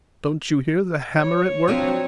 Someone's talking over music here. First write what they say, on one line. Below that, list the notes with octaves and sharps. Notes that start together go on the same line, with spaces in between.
Don't you hear the hammer at work?
C#5
F3 F#3 C4 D4